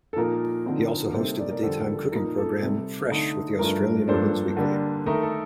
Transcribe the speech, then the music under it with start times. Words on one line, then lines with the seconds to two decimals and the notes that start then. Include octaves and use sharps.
He also hosted the daytime cooking programme "Fresh with the Australian Women's Weekly".
0.13 A4
0.16 A#2 F3 A#3 D#4 A#4
0.66 D3 F3 C4 D#4
1.14 C3 G3 A#3 D#4 A4 C5
1.39 A#4 D5
1.51 A#4 D5
1.63 F2 D3 G3 A4 C5
1.79 A#4
1.97 A4
2.12 A#2 F3 A#3 D#4 A#4
2.38 A4
2.61 C3 G3 C4
3.10 D3 A3 D#4
3.59 G2 F3 A3 D4 A#4
4.08 G2 F3 A#3 D4 A4 C5
4.57 D3 G3 A#3 D4
5.06 D#3 A3 D#4 A#4
5.23 A4